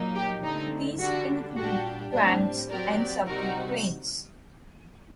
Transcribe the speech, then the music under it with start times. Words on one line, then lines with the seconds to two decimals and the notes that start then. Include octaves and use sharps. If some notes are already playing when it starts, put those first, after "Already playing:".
These include trams and subway trains.
Already playing: A#2 F#3 A#3 D#4
0.15 G4
0.43 D3 A3 C4 D#4
0.99 D3 G3 D4 F#4
1.56 A#2 G3 D4 F#4 G4
2.12 A2 G3 C4 D4
2.70 F#3 C4 G4 A#4 D5
3.26 C3 G3 C4 D#4 F#4 A#4